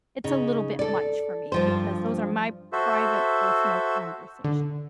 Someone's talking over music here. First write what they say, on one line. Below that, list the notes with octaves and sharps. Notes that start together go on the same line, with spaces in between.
it's a little bit much for me because those are my private, personal conversations.
C#3 D#4
A4 D5
G2 F3 C5
F#4 A4 C5 E5
D3